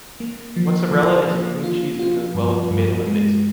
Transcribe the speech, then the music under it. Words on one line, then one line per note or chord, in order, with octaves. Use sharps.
Mozzarella is a cream cheese that goes well with tomato and basil.
A#3
F3
F3
F3
F4
F4
G2
G2
G#3